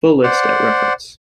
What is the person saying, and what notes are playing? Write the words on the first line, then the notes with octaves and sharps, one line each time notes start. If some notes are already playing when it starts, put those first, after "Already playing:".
Full list at reference.
C5 D5 F#5